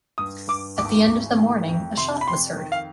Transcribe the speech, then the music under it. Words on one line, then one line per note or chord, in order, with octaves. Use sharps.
At the end of the morning, a shot was heard.
G2 D#6
G2 D6
G#1 D6
G#1
D#3
F2
C3 C6
B5
F2 C6
D#3
F5